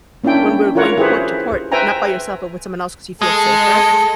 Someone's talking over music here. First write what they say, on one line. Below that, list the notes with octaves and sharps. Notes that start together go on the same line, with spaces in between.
when we're going port to port, not by yourself, but with someone else 'cause you feel safer,
A#3 C#4 D4 E4 G5
E4 F4 A#4 C#5 F#5
E4 G4 G#4 B4 C5
B4 C5 E5 G5 G#5 A#5
G#3 A4